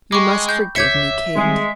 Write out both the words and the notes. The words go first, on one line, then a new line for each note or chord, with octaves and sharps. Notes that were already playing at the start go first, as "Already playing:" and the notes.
You must forgive me, Kate.
G#3 G5 B5 C#6 D6
G6
C#2 C#5 E5 D6 G6 G#6 C#7
D#3 G3 G#3 C4